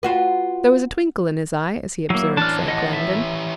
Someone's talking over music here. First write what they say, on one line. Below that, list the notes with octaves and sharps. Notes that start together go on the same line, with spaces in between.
There was a twinkle in his eye as he observed Frank Langdon.
F4 F#4 B4
F#3 A#3 E4
E3 C#4 D4 A5 F6
D#5 F#5
E5